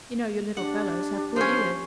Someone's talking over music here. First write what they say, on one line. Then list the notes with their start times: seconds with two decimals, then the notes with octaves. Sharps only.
You know, your little fellows have good ears.
0.57 D4 G4 F#5
1.36 F3 C#4 C5